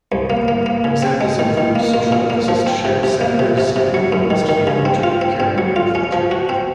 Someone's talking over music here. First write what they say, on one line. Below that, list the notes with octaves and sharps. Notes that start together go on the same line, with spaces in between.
Examples include social ethicist Cheryl Sanders and womanist theologian Karen Baker-Fletcher.
C2
A#3
A#3
A#3
C#3
C4
G#3
D#3
D#3
A#3
A#3
A#2
A#3
F3
C4
C3
C3
A#3
C3
C3
C3
F#3
F#2
D#3
D#3
C#3
C4
F4
C4
C4
F#3
F4
C#4
F3
F#4
C4